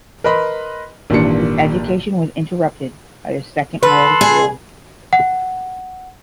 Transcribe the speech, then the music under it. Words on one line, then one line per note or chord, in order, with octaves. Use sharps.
His education was interrupted by the Second World War.
A#4 B4 D#5 B5 C6
G#1 A#2 E3 G3 D4 C#7
A4 B4 C6
G#4
F#5